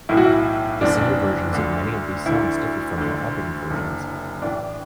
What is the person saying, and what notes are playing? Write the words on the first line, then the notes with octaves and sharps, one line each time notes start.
The single versions of many of these songs differ from their album versions.
B1 A2 E3 E4
F#4
E4
F#1 E2 D3 D4
D4
D2 D3
D2 D3 E4
D2 D3
F#1 F#2 D3
A1 A2 E3 D4